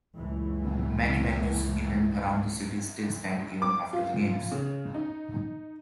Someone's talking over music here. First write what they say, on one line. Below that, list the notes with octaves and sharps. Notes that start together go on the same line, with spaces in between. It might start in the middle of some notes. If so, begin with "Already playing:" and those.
Many venues in and around the city still stand even after the games.
C#2 F#2 A#2 E3 G#3 A3
D6
F4
C#3
D#4